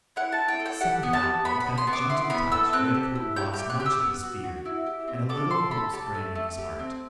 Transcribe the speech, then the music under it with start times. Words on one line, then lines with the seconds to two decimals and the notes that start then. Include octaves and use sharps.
Somehow at that gentle touch Redcoat lost much of his fear, and a little hope sprang in his heart.
0.16 E4 F#5
0.32 A5
0.38 E4
0.48 G5
0.60 A4
0.66 G5
0.81 G4 F#5
1.03 B3
1.13 A5
1.23 G4
1.45 B3 B5
1.60 B5
1.66 B3
1.78 C6
1.87 B3
1.93 D6
2.09 E4 C6
2.30 B3 B5
2.52 A4 E6
2.73 C4 F#6
2.94 G4
3.15 E4
3.36 G4 G6
3.54 G4 G6
3.70 F#6
3.80 G4
3.86 E6
4.00 B3
4.23 F#4
4.44 F#4
4.65 E4
4.86 G4
5.08 C4
5.29 A4 D6
5.50 A4 C6
5.71 A4 B5
5.93 G4 A5
6.15 A3
6.35 A3
6.58 G4
6.79 C4